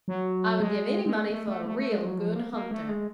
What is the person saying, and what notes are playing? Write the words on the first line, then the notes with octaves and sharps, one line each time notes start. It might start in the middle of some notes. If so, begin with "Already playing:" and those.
I would give any money for a real good hunter.
F#3
G#3
G#3
A3
A3
A3
A3
A3
G#3
F#3
F3
A#3
A#3
A3
G#3